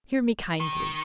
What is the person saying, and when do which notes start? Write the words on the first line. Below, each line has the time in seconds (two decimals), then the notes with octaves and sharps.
Hear me kindly!
0.60 D#3